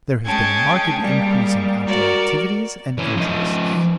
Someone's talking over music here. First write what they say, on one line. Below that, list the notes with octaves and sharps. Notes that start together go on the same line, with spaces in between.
There has been a marked increase in outdoor activities and interests.
G#3 C#4 G5 A5 G#6
G3 G#3 A#3
F#4 A#4 D5
E3 C#4
F3 D#4